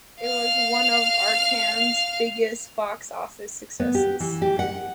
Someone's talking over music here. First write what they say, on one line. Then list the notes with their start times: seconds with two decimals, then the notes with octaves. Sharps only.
It was one of Arcand's biggest box office successes.
0.21 F5 F6
3.80 B3
3.95 G4
4.20 E3
4.42 G4
4.59 F#5